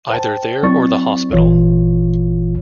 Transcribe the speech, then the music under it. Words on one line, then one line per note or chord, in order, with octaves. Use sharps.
Either there or the hospital.
C5 G5 A5
F#3 C4 E4 D5 C#6 A6
G#1 A#2 E3 F4 C#5